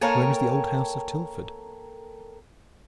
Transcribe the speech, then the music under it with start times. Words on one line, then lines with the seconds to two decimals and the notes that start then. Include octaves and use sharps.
Where is the old house of Tilford?
0.01 A#3 A4 A#4 C#5 G5 G#5